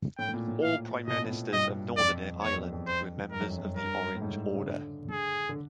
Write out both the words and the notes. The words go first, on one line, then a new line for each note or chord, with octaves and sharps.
All Prime Ministers of Northern Ireland were members of the Orange Order.
A2 G5
A2
A#2
A2
F5
B2 D#5
A#2
A2
A#2
G2 D#5
F2 D5
E2 C#5
E2
F2
F2
C5
G2 A#4
F#2
F2
F#2
G2 A#4
A2
G#2
A2
C#3
D3
G#4
D3